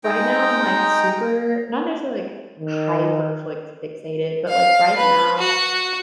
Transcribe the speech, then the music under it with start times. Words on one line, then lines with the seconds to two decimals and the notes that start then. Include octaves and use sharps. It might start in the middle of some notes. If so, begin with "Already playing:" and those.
right now I'm, like, super not necessarily like hyper-fli fixated, but like right now
0.04 G#3 D#4 G5 A#5
2.59 D#3
4.49 F5
4.97 B4
5.38 F#4